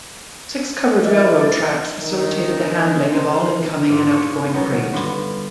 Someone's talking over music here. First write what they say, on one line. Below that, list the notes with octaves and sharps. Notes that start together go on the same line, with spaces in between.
Six covered railroad tracks facilitated the handling of all incoming and outgoing freight.
E4 A#4 D5 D#5
D#3 D4 D#4
A4 C5
G#2 F4
C#5 D5
D#3 F#3 G3 B3
G2 D3 F4 B4